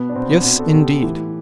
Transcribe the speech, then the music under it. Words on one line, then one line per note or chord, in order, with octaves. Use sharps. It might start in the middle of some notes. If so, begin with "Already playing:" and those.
Yes, indeed.
Already playing: B2 B3
D4
B2 C4
D4
B2 F#4
A4
B2 G4
A2 E3